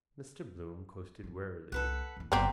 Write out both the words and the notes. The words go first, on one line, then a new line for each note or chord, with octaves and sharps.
Mr Bloom coasted warily.
F#3 E4
C2 A4 B4 F#5
D1 E3
F#1 F#2 B3 C4 A#5 B5 D6